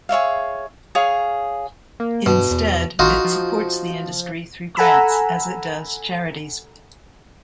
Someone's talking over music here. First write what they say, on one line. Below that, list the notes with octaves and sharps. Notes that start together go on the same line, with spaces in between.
Instead, it supports the industry through grants, as it does charities.
G#4 C#5 E5 F5
G#4 C#5 F5 D#6
A#3
G2 B2
E2
A1 D#4 F4 F#4
F3
A4 F#5 G#5 A#5 B5 E6